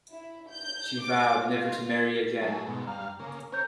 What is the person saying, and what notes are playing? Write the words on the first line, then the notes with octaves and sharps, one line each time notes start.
She vowed never to marry again.
E4
G6
D6
F4
F#3 A3 G#4
G#2 B2
G2 F5 A#5
C#3 A#3
C#4 A#4 C5 G6